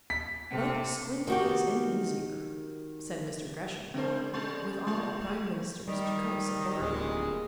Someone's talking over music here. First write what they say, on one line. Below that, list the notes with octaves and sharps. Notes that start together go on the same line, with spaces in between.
"But squint is an easier," said Mr. Gresham, with all a prime minister's jocose authority.
B6
C3 A4
D#3 F#4 G4
C#3 G#3 C4 A#4 C5
G3 C#4 A4 C6
G3 G#3 F4
D#3 G3
D1 A#2 G3 G#3